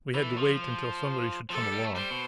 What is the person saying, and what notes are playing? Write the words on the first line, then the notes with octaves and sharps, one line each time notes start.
We had to wait until somebody should come along.
E3 A4
F3
C5
F3 A4
G3
G3
A3
G3 C5
B2